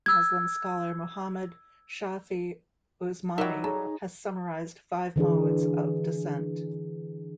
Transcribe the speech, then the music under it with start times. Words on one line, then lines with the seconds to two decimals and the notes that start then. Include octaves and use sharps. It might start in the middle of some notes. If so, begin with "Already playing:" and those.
Muslim scholar Muhammad Shafi Usmani has summarized five modes of descent.
0.06 E6 G#6
3.38 F#3 G3 D#4 A#4 E5 G5
3.64 G#4 A4 C#5 A#5
5.16 D3 E3 D4 G#4